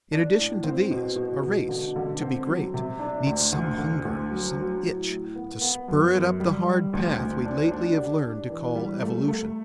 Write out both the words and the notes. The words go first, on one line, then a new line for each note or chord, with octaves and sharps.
In addition to these, a race, to be great, needs some hunger, some itch, to spur it up the hard path we lately have learned to call evolution.
D4
A2
C4
B2
B2
B2
D3
D3
C4
F#3
C3
D4
D2
D2
D3
D2
F#3
F#3
A2
A2
B3
B3
F#2
F#2
G3
G3
D2
D2
D4
D4
G4
D4
E3
G3
A3
A3